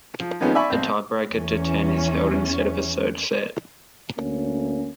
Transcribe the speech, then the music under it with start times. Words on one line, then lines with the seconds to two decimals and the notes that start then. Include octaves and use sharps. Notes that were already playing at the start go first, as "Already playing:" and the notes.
A tiebreaker to ten is held instead of a third set.
0.20 F3
0.40 F2 D#3 F3 G#3 B3 C#4
0.55 D5 E5 G#5 B5 C#6
0.70 B1 C4
1.31 E2 C#4
4.18 D2 A#3 C#4